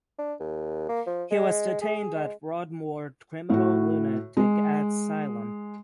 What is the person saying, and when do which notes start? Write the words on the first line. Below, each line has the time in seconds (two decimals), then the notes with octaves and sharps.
He was detained at Broadmoor Criminal Lunatic Asylum.
0.18 D4
0.40 D#2
0.89 A#3
1.07 F3
1.31 G#3
1.82 G#4
2.15 G#3
3.50 A2 F#4
4.37 G#3